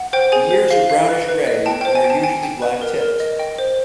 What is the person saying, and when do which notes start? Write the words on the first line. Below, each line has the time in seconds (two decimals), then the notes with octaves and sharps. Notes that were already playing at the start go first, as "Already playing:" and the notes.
The ears are brownish-gray and are usually black-tipped.
Already playing: F#5
0.13 C5 G5
0.32 G#4 G#5
0.51 C5
0.71 F5
0.90 F5
1.09 B4
1.28 B4
1.47 D#5
1.66 G5 A5
1.81 C5 G5
1.95 G#5
2.04 G5
2.10 A5
2.23 G5 G#5
2.43 G5
2.62 B4
2.82 A#4
3.01 A#4
3.20 D#5
3.39 D#5 G5
3.58 C5